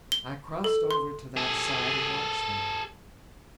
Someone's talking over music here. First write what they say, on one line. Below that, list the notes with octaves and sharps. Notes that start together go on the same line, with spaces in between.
I crossed over to that side and watched them.
G7
A4
C6
G#4 A4